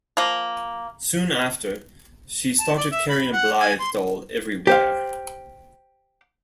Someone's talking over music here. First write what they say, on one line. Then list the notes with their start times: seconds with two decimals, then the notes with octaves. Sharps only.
Soon after, she started carrying a Blythe doll everywhere.
0.17 F3 A#3
2.58 A5
2.77 D5
2.91 E5
3.09 B5
3.32 F#5
3.60 G#5
3.79 C6
4.67 G4 C5 F5